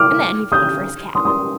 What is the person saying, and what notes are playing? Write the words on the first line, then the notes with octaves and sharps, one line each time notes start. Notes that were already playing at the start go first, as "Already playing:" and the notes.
And then he 'phoned for his cab.
Already playing: D6 F6
D#6 G6
C6 D#6
C6 D#6